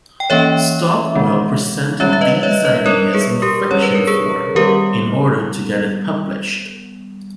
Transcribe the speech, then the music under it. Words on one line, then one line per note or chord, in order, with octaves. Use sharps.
Stockwell presented these ideas in fiction form in order to get it published.
G5
E3 A#3 C#4 C#5 E5
D#3 G#3 B3
D#3 G3 C#4 C#5 E5
E5
B4 D#5
C#5 E5
B4 D#5
G3 B3 A#4 C#5
G#4 B4
G4 A#4
G3 C#4 C#5
B4
A#4
G#4 B4
D#3 G3 B3 G4 A#4